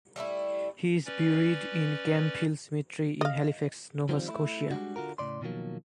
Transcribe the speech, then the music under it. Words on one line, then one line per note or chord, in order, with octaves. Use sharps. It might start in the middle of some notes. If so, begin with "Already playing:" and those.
He is buried in Camp Hill Cemetery in Halifax, Nova Scotia.
G3 A3 D4 E4
C#4 B4 D5
D#5 F5
D#3 F3 G3 C4 F4
A3 E4
G3 G#3 D4 D#4 F#4
D3 F4 F#4 A#4
A2 C#3 D5 C6
B2 D#3 F3 F#3 A#3